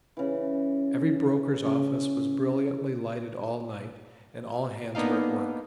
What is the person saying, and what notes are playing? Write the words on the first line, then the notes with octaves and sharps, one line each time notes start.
Every broker's office was brilliantly lighted all night, and all hands were at work.
C#3 E3
C#3 C#4
A#3 B3 D4 D#4 F5